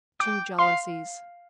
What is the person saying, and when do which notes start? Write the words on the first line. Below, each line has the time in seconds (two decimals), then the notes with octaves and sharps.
Two Jealousies.
0.20 G5 D6
0.59 F5 C6